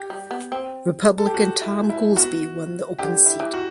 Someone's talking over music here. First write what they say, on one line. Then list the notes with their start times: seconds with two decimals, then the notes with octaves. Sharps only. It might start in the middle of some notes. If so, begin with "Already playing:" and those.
Republican Thom Goolsby won the open seat.
Already playing: G4
0.10 G3
0.31 B3
0.52 C4
1.18 A4
1.26 G4
1.34 F#4
1.61 E4
1.89 E4
2.16 B3 F#4
2.98 D3 G4
3.26 E4
3.40 E3
3.54 F#4